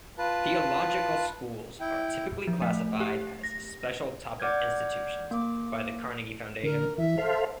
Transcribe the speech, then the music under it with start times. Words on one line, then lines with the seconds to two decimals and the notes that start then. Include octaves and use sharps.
Theological schools are typically classified as "Special Topic Institutions" by the Carnegie Foundation.
0.18 F4 B4 A5
1.80 E4 G5
2.47 F3
2.62 A3
3.00 G4
3.43 A#6
4.40 D5 F#5 D6 F6 G6 G#6
5.31 A#3 D6
6.63 D3 A#4
6.98 E3 E5
7.18 A4 C5 F5